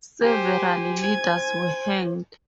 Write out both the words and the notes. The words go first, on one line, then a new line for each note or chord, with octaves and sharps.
Several leaders were hanged.
G4 C5 G#5
C5 G#6